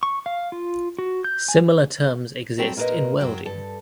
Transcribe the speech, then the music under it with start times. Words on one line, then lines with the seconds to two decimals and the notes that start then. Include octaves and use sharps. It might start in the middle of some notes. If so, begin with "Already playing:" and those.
Similar terms exist in welding.
0.03 C#6
0.26 F5
0.52 F4
0.99 F#4
1.24 G6
1.48 G#5
2.58 F#3 G3 C4 F#4 A4 G5
2.77 A#2 A#3 G4 A#4 B4 D#5
3.20 F#2 F#3 G5
3.45 G2 A4